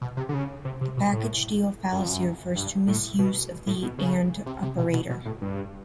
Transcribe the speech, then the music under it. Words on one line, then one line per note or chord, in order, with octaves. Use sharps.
The package deal fallacy refers to misuse of the "and" operator.
B2
C3
D3
C#3
C3
C3
B2
A2
F#2
F2
F#2
G2
A2
B2
A2
B2
C#3
C3
C3
B2
B2
B2
A2
G2